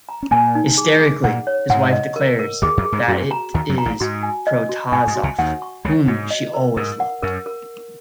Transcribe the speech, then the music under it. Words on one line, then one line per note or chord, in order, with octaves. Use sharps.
Hysterically, his wife declares that it is Protasov whom she always loved.
A#5
C#4
A#2 A#3 G#5
D#4
G#4
G#4
A#2 A#3 F#5
C#5
G#2 G#3 F#5
D#5
A#4
A#4
D#2 D#3 G#4
F#2 F#3
G#4
G#2 G#3
F#2 F#3 F#4
A#5
D#2 D#3 A#5
F#2 F#3
A#5
A#1 A#2
G#2 F#4
G#5
D#5
F#4
G#2 G#5
G#2
F#4
C#2 C#3
D#2 D#3 F#5
C#6
C#2 C#3 C#5
G#2 F#4
D#5
A#4
G#2 A#4
F#5
F#2 A#4
A#4